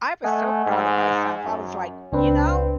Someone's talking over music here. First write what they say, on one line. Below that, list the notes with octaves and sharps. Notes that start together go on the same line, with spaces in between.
I was so proud of myself. I was like, "You know,
A3 D#5 F#5 G#5
G#2
F#2
C#2 C4 D4 B4